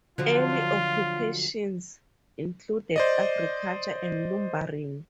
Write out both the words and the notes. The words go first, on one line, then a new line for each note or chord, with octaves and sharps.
Early occupations included agriculture and lumbering.
D3 F3 F#3 F4
C5 D5 D#5